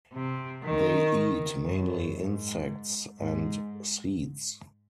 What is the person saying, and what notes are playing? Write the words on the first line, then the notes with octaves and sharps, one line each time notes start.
They eat mainly insects and seeds.
C3
D#3
F#2
G#2
G#2